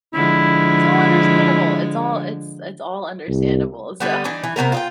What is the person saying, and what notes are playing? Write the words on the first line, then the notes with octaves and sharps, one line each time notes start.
It's all understandable, it's all it's it's all understandable, so,
D3 F3 G#3 E4
C2
D3 G3 B3
E3 D4 D#4
E3
C3 F3 B3 A#4
F4 D#5 G5